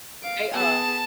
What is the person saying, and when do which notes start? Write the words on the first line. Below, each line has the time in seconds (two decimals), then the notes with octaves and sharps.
They are.
0.23 F5 D7
0.54 B3 G#4 A5